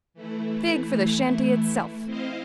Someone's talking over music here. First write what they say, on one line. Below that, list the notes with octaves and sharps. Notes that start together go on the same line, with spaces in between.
A fig for the shanty itself!
E3 A3 E4
C4 E4 C5 D#5 F5